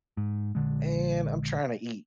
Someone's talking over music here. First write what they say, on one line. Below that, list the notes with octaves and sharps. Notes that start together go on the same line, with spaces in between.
"Man, I'm tryna eat
G#2
A#1 D3 G#3